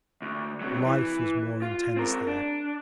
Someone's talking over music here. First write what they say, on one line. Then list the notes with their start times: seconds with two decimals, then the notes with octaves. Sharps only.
Life was more intense there.
0.22 D2
0.61 C3 F#3
0.86 E3
1.62 F4
1.96 C4 A#4
2.27 D4